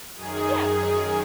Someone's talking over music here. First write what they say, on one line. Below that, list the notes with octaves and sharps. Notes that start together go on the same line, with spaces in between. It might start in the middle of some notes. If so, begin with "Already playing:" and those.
Yeah, of course.
F#2 D#3 G#4
G#4